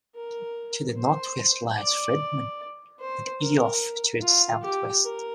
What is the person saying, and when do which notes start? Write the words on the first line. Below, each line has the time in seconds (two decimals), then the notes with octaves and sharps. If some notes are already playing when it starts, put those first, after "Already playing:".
To the northwest lies Fridman, with Ioffe to its southwest.
0.15 A#4
0.97 C5
1.78 D5
3.00 C5
3.41 A#4
4.21 F4
4.63 G4
5.03 A#4